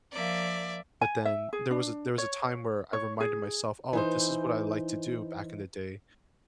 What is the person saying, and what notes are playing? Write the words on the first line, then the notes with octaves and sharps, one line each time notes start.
but then there was a there was a time where I reminded myself, "Oh, this is what I liked to do back in the day,
F3 A#3 D5 E5
G#5
E5
G#4
D4
C#5
C#5
G#4
E3 D#4 C5